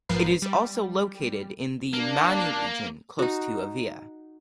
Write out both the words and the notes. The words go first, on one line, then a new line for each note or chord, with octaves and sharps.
It is also located in the Mani region close to Avia.
A#1 G#2 F3 A#4 B4 C7
G3
A#3 D4
D#4 F#4